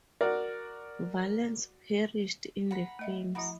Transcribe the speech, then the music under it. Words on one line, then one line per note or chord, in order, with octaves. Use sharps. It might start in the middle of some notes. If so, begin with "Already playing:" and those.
Valens perished in the flames.
F#4 A#4 D5
F#5 A#5 B5
A3 D#5 E5
F3 E4 F#4 A#5 B5